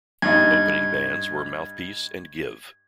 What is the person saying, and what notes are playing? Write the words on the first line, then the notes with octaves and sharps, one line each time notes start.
Opening bands were Mouthpiece and Give.
G2 D#4 G#6